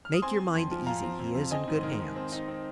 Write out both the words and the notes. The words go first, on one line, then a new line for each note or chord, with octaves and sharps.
"Make your mind easy, he is in good hands."
F6
D#6
C4 G#5 C6
C4
F2
F3
F3 F5 A#5
C4
F2
F2
C4 D#5 G#5
G#2
D#3
G#2
C4
D#4
C4